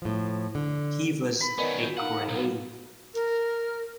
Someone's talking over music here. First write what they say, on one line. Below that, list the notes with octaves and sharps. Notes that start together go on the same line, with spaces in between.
He was a gray.
A2 F3
D3
B5
D#3 B3 C#4 A#4 D5 D#5
F4 F#4 G6
D#4 A#4 F5 F#5
B1
A#4